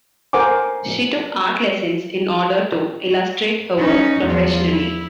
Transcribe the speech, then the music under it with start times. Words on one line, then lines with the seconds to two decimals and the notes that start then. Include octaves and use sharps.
She took art lessons in order to illustrate her work professionally.
0.33 A4 A#4 C5 F#5 G#5 D6
3.77 C#4 D#4
4.22 E2 F3
4.70 E4